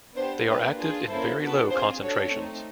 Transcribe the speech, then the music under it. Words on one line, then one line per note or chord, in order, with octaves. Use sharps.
They are active in very low concentrations.
B3 D4 G4 C5
A#3 D4 G4 B4
D4 F4 G#4
A#3 C#4 E4 A4 C5
B3 D4 F#4 A4 B4
C4 F4 G#4 C5
D4 F#4 A4 C#5
A3 C4 D#4